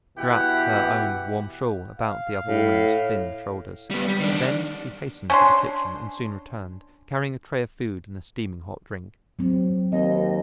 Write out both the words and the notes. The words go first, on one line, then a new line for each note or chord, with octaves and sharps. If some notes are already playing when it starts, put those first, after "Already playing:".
She wrapped her own warm shawl about the other woman's thin shoulders. Then she hastened to the kitchen and soon returned, carrying a tray of food and a steaming hot drink.
B2 E3 E4 G4 F#5
F5
A2
G3 B3
G3
D#3 D4
C#4 D4 C6
F#3 C4
D#2 C4 D#5